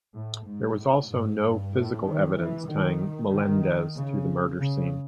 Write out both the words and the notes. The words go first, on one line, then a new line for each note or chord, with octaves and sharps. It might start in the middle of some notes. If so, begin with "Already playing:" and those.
There was also no physical evidence tying Melendez to the murder scene.
A2
G#2
A2
G#2
G2
A2
D#3
E3
D#3
D#3
C#3
C#3